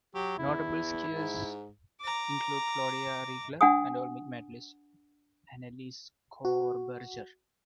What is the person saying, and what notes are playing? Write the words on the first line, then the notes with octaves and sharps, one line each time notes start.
Notable skiers include Claudia Riegler and Olympic medallist Annelise Coberger.
F#3 G4
E2 E4
G#2
A#5 D6
D4 F#5 G#5 D#6
F#4